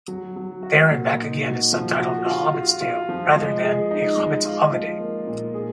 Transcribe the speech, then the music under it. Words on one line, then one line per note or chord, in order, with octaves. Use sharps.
"There and Back Again" is subtitled "A Hobbit's Tale" rather than "A Hobbit's Holiday".
F#3
F#3
F#4
A#2
D#4
F#4
F3
F#4
F4
F4
F4
F3
G#3
G#4
D#4
G#3
F4
F3
A#3
A#2
G#4